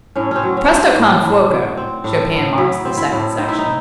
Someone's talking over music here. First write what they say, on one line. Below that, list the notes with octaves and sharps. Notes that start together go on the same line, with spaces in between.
Presto con fuoco Chopin marks the second section.
A2 C#4
C4 C#4
F#3
C#4
C4
D#4
A2
A2
F#3
C4
A2
A2
F#3 E4
C4
E4
A2
C4 D#4
E4
D#4